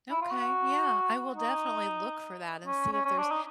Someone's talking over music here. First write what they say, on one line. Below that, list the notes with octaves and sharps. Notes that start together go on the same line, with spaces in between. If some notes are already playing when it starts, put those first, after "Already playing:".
Okay, yeah, I will definitely look for that and see if there's
E4
F4
F#4
D#4
C#4
C#4
C#4
D4
D#4